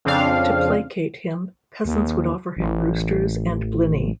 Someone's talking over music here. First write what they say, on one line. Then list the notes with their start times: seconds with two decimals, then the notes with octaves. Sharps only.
To placate him, peasants would offer him roosters and bliny.
0.05 F2 C#3 C4 D4 F5
1.85 D#2
2.57 A1